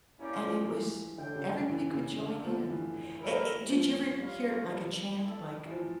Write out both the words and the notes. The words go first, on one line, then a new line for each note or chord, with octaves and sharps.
and it was everybody could join in. Eh, eh, did you ever hear, like, a chant like
A#3 C#4 E4 G4 D5
F3
E3
D3 D4 A4 C#5 G5
C#3
C#3
E3
C#3
D3 A3 E4 A#4 D5 F5
F3
E3
E4 G4 A#4 E5
F3
G3 F4 C#5 F5
G3
E4 A4 E5
E3
F3